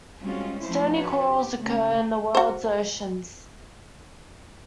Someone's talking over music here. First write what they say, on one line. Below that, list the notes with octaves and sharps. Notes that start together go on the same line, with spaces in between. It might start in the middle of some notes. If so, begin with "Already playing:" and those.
Stony corals occur in all the world's oceans.
G3 G#3 C4 C#4 F4 F#4
F3 A3 E4 C5
D4 F4 F#4 B4 C#5
G4
C#3 A3 A#3 C#4
F#4 C5